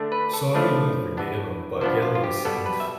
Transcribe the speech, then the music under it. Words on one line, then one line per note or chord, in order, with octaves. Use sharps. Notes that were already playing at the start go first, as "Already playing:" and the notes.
So I'll be willing to forgive him, but he hasn't really seemed,
Already playing: D3 A3 D4
B4
A4
C3 F3 A3 D4 B4
E3 B3 D4
C3 F3 B3 D4 C5
F4
F4
G4
B2 G3 B3 A4
B4
E5